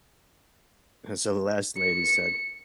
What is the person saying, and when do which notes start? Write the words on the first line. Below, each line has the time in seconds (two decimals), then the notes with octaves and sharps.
And so the last lady said
1.78 C#7